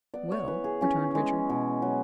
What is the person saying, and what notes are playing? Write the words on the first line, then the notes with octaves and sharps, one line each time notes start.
"Well," returned Richard.
B3 D5
C#5
E3 B4
G#4
E3 C#4
G#3
B2
F#3